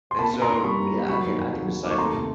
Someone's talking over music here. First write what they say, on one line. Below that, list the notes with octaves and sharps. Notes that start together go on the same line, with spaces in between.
and so, yeah, I can I can decipher
C6
A#3 A5 B5
A#3
A#5 C6
G2
C6
G3 B5 C#6
G2
G3
F#3 B5 C#6
D#2
D#2
F#3
F#3
D#2 D6
C#6
A3 A#5 C6
C3